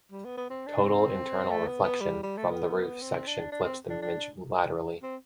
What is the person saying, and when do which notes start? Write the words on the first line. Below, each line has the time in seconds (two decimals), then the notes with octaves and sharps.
Total internal reflection from the roof section flips the image laterally.
0.12 G3
0.25 B3
0.37 B3
0.50 C4
0.67 D4
0.83 C4
1.51 A3
1.67 B3
1.84 B3
2.01 G3
2.23 G3
2.37 A3
2.51 B3
3.02 C4
3.27 D4
3.52 D4
3.64 C4
3.90 D4
4.02 D4
5.03 C4